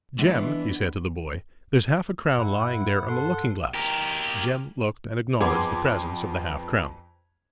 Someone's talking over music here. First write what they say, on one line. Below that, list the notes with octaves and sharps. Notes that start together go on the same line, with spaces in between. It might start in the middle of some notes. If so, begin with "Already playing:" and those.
"Jem," he said to the boy, "there's half a crown lying there on the looking-glass." Jem looked and acknowledged the presence of the half-crown.
E3 G#3 B3 D4 E5
G2 E4 F#5
A4 F#5 C6
G4 A#4
F2 B3 G#4 C6 D6 G#6